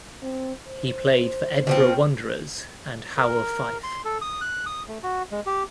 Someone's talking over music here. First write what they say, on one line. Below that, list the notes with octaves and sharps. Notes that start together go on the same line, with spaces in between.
He played for Edinburgh Wanderers and Howe of Fife.
C4
C5
B2 F3 C4
A#4
C6
A4
D#6
F#6
D#6
A3
F#4
G#3
G4